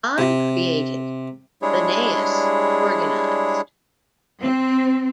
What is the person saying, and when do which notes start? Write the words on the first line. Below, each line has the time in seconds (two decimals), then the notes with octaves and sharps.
"God created, Linnaeus organized".
0.18 C3
1.62 G3 G#3 D4 E4 G#4 C#5
4.40 C4